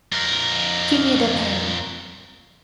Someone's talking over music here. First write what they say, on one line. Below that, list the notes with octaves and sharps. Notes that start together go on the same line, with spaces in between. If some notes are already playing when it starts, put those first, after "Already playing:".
Give me the pen.
F2 A#4